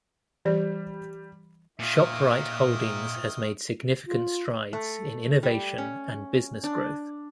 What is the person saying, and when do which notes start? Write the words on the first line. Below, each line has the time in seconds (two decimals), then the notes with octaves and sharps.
Shoprite Holdings has made significant strides in innovation and business growth.
0.45 E3 G3 D5
1.79 A#2 D#3 F4 D#5 E5
4.07 F4
4.73 A3
5.43 G3
5.78 C#4
6.64 D4